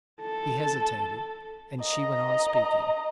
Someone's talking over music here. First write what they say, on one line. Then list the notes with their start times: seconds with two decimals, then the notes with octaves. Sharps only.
He hesitated--and she went on speaking.
0.23 A4
1.82 D#5 A#5